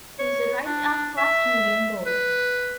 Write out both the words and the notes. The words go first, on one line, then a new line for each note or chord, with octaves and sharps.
He is a right arm fast medium bowler.
C#5
D4
E5
B4